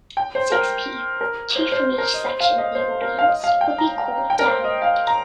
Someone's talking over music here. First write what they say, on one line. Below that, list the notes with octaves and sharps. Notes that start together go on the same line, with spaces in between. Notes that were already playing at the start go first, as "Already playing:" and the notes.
Six people, two from each section of the audience, would be called down.
G5
C5
A#4
A#4
C5
C5
A#4
D#5
C5
F5
D#5
C5
A#4
F5
D#5
F5
G5
A#5
G5
A#4
C5
D#5
F5
A#5